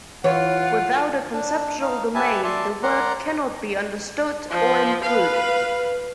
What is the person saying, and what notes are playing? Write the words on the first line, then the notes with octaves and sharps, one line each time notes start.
Without a conceptual domain, the work cannot be understood or improved.
E3 F4 C#5 F#5
D4
D#4 F5
G4 B4 E5 G#5 A5
D5 E5 A5 C6
A#4 D5 F#5 A#5 C6
F3 C5
B4 F5